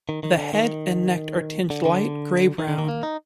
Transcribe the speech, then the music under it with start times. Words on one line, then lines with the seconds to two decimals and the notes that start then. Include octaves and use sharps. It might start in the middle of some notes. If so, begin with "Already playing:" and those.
The head and neck are tinged light grey-brown.
0.09 D#3
0.23 D#3
0.38 D3
0.53 D#3
1.70 D3
1.85 D3
2.58 D#3
2.68 D3
2.78 D#3
2.88 A#3
3.03 D#4